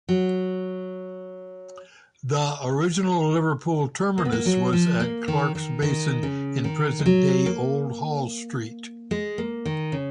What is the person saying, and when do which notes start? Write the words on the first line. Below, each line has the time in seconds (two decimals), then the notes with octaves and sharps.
The original Liverpool terminus was at Clarke's Basin in present-day Old Hall Street.
0.09 F#3
4.18 A#3
4.25 B3
4.32 A#3
4.45 F#3
4.73 F3
5.00 A#3
5.28 D#3
5.55 D#3
5.82 D#3
6.23 C#3
6.64 D#3
6.99 G#3
7.06 F#3
7.46 A#3
9.11 G#3
9.38 A#3
9.65 D#3
9.92 C#3